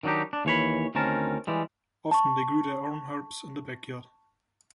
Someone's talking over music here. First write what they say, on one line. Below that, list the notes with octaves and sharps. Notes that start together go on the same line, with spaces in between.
Often they grew their own herbs in the backyard.
D#3 F#3 D4 D#4 G4
D4
D#2 E3 C#5 B5
D2 D#3 C4 C#4 A#4 A5
E3 G3 G#3
A5 C#6